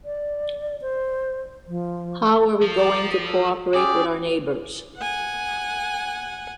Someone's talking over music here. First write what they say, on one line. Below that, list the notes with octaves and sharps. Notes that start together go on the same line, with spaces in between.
How are we going to co-operate with our neighbours?
D5
C5
F3
F3
D5 A#5 D6
A4
C#4 G4 G#4 D5
F#5 G#5